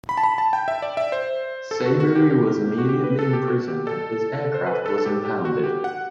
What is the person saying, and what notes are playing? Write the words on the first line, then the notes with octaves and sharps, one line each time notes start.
Saibory was immediately imprisoned and his aircraft was impounded.
B5
A5
B5
A5
G5
E5
D5
E5
C5
A4
F#4
F#4
G4
G4
F#4
G4
B4
A4
G4
F#4
G4
A4
C5
B4
A4
A4
G4
G4
F#4
G4
F#5